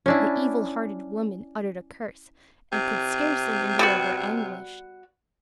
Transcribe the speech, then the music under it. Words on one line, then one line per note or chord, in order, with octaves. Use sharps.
The evil-hearted woman uttered a curse, and could scarcely endure her anguish.
C#4 D4 E4
C3
G3 B3 F#4